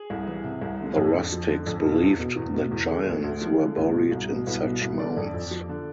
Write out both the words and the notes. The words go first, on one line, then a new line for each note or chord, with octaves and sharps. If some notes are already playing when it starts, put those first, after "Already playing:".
The rustics believed that giants were buried in such mounds.
Already playing: G#4
C2
E3
C3
C2
D3
F2
F2
F3
D3
F2
B2 F4
E2
B2
E2
B2
E2
D3 G#4
D2
D2
F3
D3
D2
B2
C2
B2
C2 B4
B2
C2
D3 D5
F2
F2
F3
D3